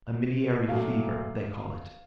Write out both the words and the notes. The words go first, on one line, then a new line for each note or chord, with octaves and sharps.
A miliary fever, they call it.
A#2 F#3 A3 F5